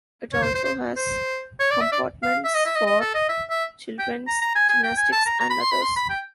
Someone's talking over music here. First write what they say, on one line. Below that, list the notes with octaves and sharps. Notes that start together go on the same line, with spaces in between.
It also has compartments for children's gymnastics and others.
C#5
C5
C5
C5
C5
C#5
D5
E5
D5
F5
E5
D#5
E5
D#5
D#5
A4
D#5
E5
E5
G5
A#5
A#5
G#5
G#5
G5
G#5
A5
A#5
A#5
B5
C6
B5
C6
B5
G5